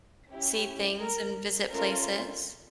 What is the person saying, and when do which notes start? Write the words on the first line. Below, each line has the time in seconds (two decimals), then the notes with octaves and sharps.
see things and visit places.
0.30 C#4 E4 G4
1.00 A#4
1.71 A3 C#4 F4 A#4